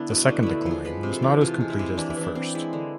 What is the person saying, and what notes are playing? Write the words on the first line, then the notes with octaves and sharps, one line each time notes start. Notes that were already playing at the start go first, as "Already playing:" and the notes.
The second decline was not as complete as the first.
Already playing: D3 B3 D4 E4
B2
A3 D4
D3 E4
F3 G#4
G#3 B4
C3
A4
E3
C3 F4
G#3
E4
C3
E3 D4
E4
E3 D4
C4
G#3 E4
D3